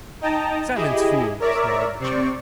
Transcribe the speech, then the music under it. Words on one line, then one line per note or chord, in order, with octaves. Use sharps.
"Silence, fool!" snarled the chief.
D#4 D#5 G5 A5 A#5
E4 G4 G#4 D#5
A#4 C#5 D5 E5 A#5 D6
C3 C4 D5 C#6